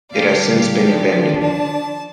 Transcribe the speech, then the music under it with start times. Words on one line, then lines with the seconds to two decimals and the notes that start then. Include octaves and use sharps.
It has since been abandoned.
0.10 D3 G3 G4 D5 F5
0.87 F3 D4
1.41 A5